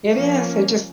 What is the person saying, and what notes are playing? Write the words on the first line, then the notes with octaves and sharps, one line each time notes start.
It is, it just
F3 A#3 C#4